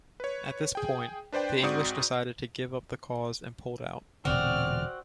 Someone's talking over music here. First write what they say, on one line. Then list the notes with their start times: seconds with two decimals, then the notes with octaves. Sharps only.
At this point, the English decided to give up the cause and pulled out.
0.20 B4 C#5
0.75 G#4 G5
1.32 D4 B4 C5 D5 G5
1.63 G#2 C4 F#4 D5 D#6 G6
4.25 E1 A#2 D3 C4 F#4 D5 F6